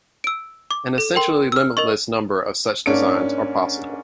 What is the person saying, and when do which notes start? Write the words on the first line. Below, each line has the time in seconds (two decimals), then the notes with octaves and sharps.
An essentially limitless number of such designs are possible.
0.24 E6 D7
0.71 D6
0.98 A4
1.15 A#4 G5 C6
1.52 E6 F6
1.77 A#4 D#5 C#6
2.86 G#2 A#3 C#4 D4 D7